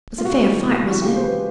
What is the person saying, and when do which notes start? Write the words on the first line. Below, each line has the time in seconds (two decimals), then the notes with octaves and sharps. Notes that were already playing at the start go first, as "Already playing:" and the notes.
It was a fair fight, wasn't it?'
0.18 F4
0.25 C3 F#4
0.44 E3 G#3
0.63 C3
0.83 E3 G#3
0.91 F#4
1.01 C#3 G4
1.16 C5
1.21 F3 G#3 B4